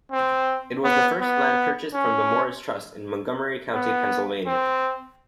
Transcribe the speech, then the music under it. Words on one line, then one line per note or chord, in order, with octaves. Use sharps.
It was the first land purchased from the Morris Trust in Montgomery County, Pennsylvania.
C4
B3
B3
C#4
B3
C4